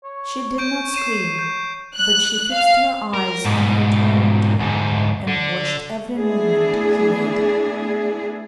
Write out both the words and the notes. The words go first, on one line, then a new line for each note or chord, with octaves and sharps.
She did not scream, but she fixed her eyes on her tormentor and watched every movement he made.
C#5
C#6 G6 D7
C7 D#7 E7
G6
F#6
F5
A#4
G#2 B2
D2 G#2
D3
A3 B3 D4 E4 G#4